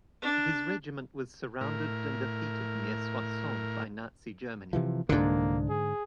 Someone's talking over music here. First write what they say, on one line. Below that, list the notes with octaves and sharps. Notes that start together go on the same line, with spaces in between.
His regiment was surrounded and defeated near Soissons by Nazi Germany.
D4
A2 A#4
C3 E3 F3
C2 G#2 D3 A#3 C4 D4
G#4